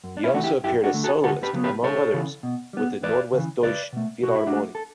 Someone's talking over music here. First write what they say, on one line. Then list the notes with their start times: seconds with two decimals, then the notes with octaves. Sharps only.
He also appeared as soloist among others with the Nordwestdeutsche Philharmonie.
0.04 F#2
0.17 D4
0.24 C#4 E4
0.34 E3 A3 F#4
0.44 E4 G4
0.63 F#2 E4 G4
0.83 D4 F#4
0.93 D3 A3
1.04 F#4 A4
1.23 D2 F#4 A4
1.43 G4 B4
1.53 C#3 F#3 B3
1.64 G4 B4
1.83 C#2 A4 C#5
2.13 C#3 E3
2.43 B2
2.73 G3 B3
3.03 E2 B4 D5
3.33 C#3 E3
3.63 C#2 B4 D5
3.93 B2 A3
4.23 B2 F#4
4.36 E4
4.47 D4 F#4
4.53 A3
4.75 A4